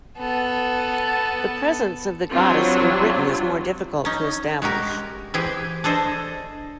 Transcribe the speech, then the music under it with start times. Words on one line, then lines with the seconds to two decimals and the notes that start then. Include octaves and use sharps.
The presence of the goddess in Britain is more difficult to establish.
0.18 B3 A4
2.34 F#3 G3 C4 D4 F4
4.05 C#4 D#4
4.62 G#3 F#4 G4 A#4
5.34 E3 C4 G4 G#4
5.84 D4 G#4 A4 C5 D#5